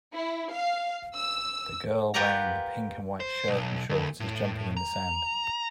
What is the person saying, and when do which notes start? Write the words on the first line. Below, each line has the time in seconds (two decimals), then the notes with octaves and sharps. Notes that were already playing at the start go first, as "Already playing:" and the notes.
The girl wearing the pink and white shirt and shorts is jumping in the sand.
0.13 E4
0.51 F5
1.15 E6
2.14 F4 G4 A#4 B4 F#5 A#5
3.20 C5
3.48 B1
3.89 D2
4.20 A2
4.77 A#5